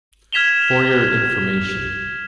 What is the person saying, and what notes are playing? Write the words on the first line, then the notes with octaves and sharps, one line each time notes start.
For your information.
F6 G#6 B6 E7 F7 G7